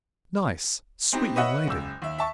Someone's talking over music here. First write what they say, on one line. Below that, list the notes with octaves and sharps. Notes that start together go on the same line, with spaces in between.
"Nice, sweet young lady."
B3 C4 D#4 G4
B4 C#5 D#5 E5 F#5
F#1 C#2 E6
D#2 E5
E5 A5 C#6